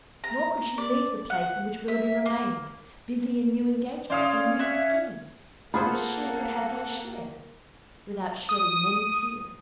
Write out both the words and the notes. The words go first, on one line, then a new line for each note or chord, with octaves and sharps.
Nor could she leave the place in which Willoughby remained, busy in new engagements, and new schemes, in which SHE could have no share, without shedding many tears.
A#5
D5
F#5
E5
A#3
C#4 C5 D5 F5 D#6
E5 F#6
A#3 F4 G#4 A4 C5 F#5 B5
D#6